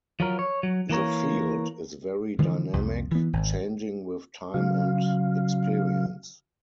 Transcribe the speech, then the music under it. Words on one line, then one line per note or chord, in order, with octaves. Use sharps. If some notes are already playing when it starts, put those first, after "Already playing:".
The "field" is very dynamic, changing with time and experience.
F3 F#3 A#4
C#5
F#3
E3 A#3 A#4 C#5
D3 E3 F3 G#3
C2 F2
E3 B3
G#1
C#3 F#3 F5